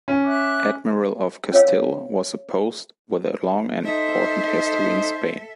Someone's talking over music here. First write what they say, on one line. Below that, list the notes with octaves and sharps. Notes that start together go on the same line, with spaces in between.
Admiral of Castile was a post with a long and important history in Spain.
C#4
E5 D6 F#6
C#4 C#5 F5
D#4 A4 C5 E5